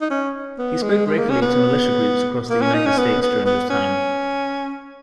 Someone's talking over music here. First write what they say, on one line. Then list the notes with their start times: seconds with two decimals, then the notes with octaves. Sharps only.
He spoke regularly to militia groups across the United States during this time.
0.01 D#4
0.10 C#4
0.59 B3
0.83 G#3
1.06 G#3
1.19 A#3
1.30 C#4
1.42 B3
2.50 A#3
2.62 C#4
2.74 D#4
2.86 C#4
2.98 B3
3.22 B3
3.46 B3
3.70 C#4